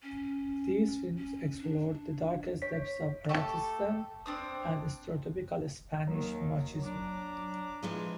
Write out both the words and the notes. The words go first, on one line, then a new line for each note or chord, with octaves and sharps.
These films explored the darkest depths of eroticism and stereotypical Spanish machismo.
C#4
C#4
D4
C#5 B6
A3 G4 A4 C#6
C4 D4 D#6
D#2 D#3 F#3
D4 A#5 D6
E3 F3 G#3